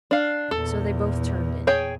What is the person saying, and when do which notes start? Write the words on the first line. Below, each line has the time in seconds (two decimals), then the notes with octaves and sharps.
So they both turned in.
0.11 D4 F5
0.51 E2 A#2 A4
1.67 G#4 C#5 G5